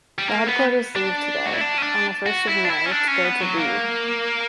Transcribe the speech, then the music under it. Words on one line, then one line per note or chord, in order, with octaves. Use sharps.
The headquarters leave today, on the first of May to go to Ried.
G3
A#3
B3
D4
F#4
E4
D4
C#4
D4
F#4
E4
D4
E4
C#4
D4
C#4
B3
F#3
A#3